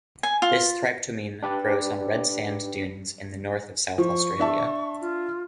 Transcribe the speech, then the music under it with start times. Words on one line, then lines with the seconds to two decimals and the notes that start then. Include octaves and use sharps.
This thryptomene grows on red sand dunes in the north of South Australia.
0.23 G#5
0.42 F4
1.43 D4 G4 B4 D5
3.98 F3 C#6
4.40 D4 E5 A5
5.01 F4